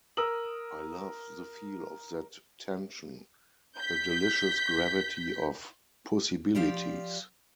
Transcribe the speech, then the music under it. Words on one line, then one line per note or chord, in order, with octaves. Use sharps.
I love the feel of that tension, the delicious gravity of possibilities.
A#4 D#6 E6 F#7
G6 B6
F3 F4 G4 D5